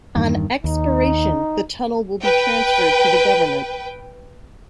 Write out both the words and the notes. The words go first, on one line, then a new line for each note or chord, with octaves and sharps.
On expiration, the tunnel will be transferred to the Government.
E2 G2 D#3
D#2 D#4
B4 G5